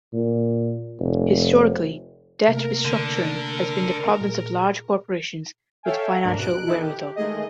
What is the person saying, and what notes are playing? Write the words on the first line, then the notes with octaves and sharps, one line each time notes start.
Historically, debt restructuring has been the province of large corporations with financial wherewithal.
A#2
F1
C3 A3 A#3 A#4
D3
A#2 G#4
A4 C#5 E5 F5 G5 G#5
D2 G#2 D4 A#4
B2 F#6 D7
E3 D#4 E4 A4 F#6
G4
D#3 G#3 A3 G#4 D#5